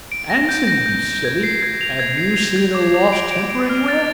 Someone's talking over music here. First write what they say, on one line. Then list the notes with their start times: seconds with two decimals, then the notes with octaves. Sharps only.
Answer me, you silly, have you seen a lost temper anywhere?
0.12 D7
0.30 A#6
0.49 G6
0.67 A#6
0.86 G6
1.05 G6
1.25 G#6
1.43 C7
1.62 G#6
1.81 F7
1.99 G#6
2.18 C7
2.37 F7
2.56 G#6
2.75 D6
2.94 D6
3.13 D7
3.31 D7
3.50 D7
3.70 F6
3.88 A6